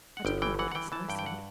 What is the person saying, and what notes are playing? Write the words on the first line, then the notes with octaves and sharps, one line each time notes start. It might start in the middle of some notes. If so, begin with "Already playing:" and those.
I do hope we'll have snow soon.
F#5
G1 G5
E3 G5
E3 F#5
F#5
E3 G5
E3 A5
G2 G5
G5
F#5